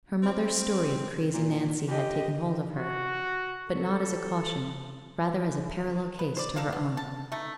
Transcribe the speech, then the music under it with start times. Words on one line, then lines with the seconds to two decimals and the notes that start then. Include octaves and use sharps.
Her mother's story of crazy Nancy had taken hold of her; but not as a 'caution,' rather as a parallel case to her own.
0.23 C4
1.34 A#2
1.88 D3 G4 D#5
2.76 F#4
3.69 A4
6.19 B4
6.37 C5 D5
6.56 D#4 A4 A#4 F5
6.72 B3
6.97 A5
7.32 A3 D#4